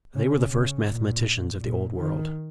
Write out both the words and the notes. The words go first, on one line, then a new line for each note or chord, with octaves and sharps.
They were the first mathematicians of the Old World.
C#3
C#3
A#2
A#2
D#3